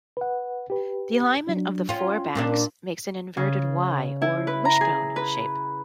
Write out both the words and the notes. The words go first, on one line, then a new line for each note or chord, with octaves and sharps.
The alignment of the four backs makes an inverted Y, or "wishbone", shape.
B4 F#5
G4 B4
F#3 D4
C#4 F4 G5
A#2 A#3 C#4 D4
C#3
E4
B4
A#5
G#4
B4